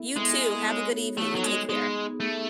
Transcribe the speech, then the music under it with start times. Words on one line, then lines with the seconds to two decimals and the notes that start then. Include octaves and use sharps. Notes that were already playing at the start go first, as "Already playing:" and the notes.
You too. Have a good evening and take care.
Already playing: B3 E4 A4 E5
0.16 G#3 B3 E4 A4 E5
0.67 B3 D#4 F#4 A4 C#5
1.17 A3 B3 D#4 F#4 A4 C#5
1.35 F#3
1.44 G#3
1.69 G#3 B3 D#4 G#4
2.20 A3 B3 D#4 G#4